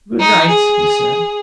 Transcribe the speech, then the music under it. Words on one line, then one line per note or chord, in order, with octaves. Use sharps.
"Good night," he said.
D#4
G#4